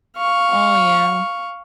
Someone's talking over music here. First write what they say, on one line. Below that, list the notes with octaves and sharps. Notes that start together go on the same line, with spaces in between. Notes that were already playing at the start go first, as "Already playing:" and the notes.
Oh yeah.
F5 C#6